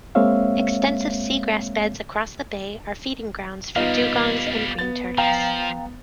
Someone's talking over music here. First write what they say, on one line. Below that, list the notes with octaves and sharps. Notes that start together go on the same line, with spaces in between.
Extensive seagrass beds across the bay are feeding grounds for Dugongs and Green Turtles.
G#3 A#3 C4 C#5 E5 F5
G3 A#3 B3 D#4 F4 F5
B3 A6
F3 F5 G5 A#5